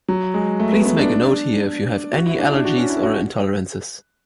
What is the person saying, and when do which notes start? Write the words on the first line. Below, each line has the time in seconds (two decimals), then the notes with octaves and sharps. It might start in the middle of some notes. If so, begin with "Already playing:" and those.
Please make a note here if you have any allergies or intolerances.
0.08 F#3
0.34 G#3
0.60 A3
0.72 B3
0.85 B3
0.99 D4
2.13 F#4
2.26 E4
2.39 D4
2.52 D4
2.65 F#4
2.77 C#4
2.90 E4
3.03 F#4